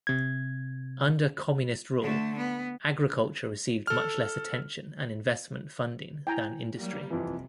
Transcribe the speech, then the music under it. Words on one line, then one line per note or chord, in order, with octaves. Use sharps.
Under communist rule, agriculture received much less attention and investment funding than industry.
C3 G#6
D3 A3
B3
A4 F6
E4 G5 G#5 A#5
F#3 G3 A#3
F2 C3 E3